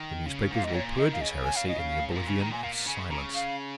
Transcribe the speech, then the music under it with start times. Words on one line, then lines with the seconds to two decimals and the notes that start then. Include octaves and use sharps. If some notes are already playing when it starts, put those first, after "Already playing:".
The newspapers will purge his heresy in the oblivion of silence.
Already playing: D#3
0.26 C#3
0.51 G#2 F5
0.64 G#2 D#5
0.74 A#2 C#5
0.98 D#3 D#5
1.13 F5
1.21 C#3 D#5
1.44 G#5
1.56 F5
1.68 D#5
1.79 F5
2.11 G#2
2.16 A#2
2.27 C#3
2.40 D#3 A#5
2.52 A#2 G#5
2.63 A#2 F5
2.87 C#3 G#5
3.10 C#3 A#5
3.35 F5